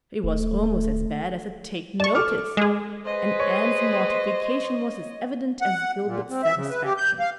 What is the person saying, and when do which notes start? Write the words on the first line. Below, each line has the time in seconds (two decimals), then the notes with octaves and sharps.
It was almost as bad as a take-notice and Anne's mortification was as evident as Gilbert's satisfaction.
0.24 D1 A3
2.00 D5 A5 C#6
2.15 A4 D6 F6
2.57 G#3 G#4
3.06 G#4 B4 C5 D#5
3.39 C#5
5.61 F#5
6.06 A#2
6.29 C4
6.43 E5
6.55 C#3
6.70 B4
6.84 G4
6.97 G6
7.19 F5